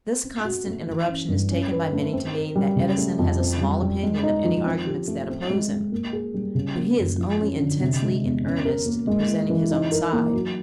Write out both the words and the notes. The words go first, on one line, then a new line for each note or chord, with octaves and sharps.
This constant interruption is taken by many to mean that Edison has a small opinion of any arguments that oppose him; but he is only intensely in earnest in presenting his own side.
C4
F#4
A3
E3
C#4
G2
C#4
B4
A3
C4
A#4
G3
C#3
A3
F2
C4
G3
G3
G#3
D#4
F3
C4
G4
A3
C4
G#3
G#3
A#3
G#4
G3
C#3
A#3
F#2
F3
C#4
D3
C3
G#3
E2
C#4
A#4
A#3
G#3
E4
E3
D#4
A#4
A#3
F#3